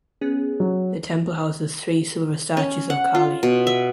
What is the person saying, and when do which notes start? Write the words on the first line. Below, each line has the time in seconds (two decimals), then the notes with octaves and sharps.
The temple houses three silver statues of Kali.
0.21 B3 C#4 G#4
0.60 F#3
2.57 C#4
2.90 F#5
3.15 F4
3.43 B2
3.67 E5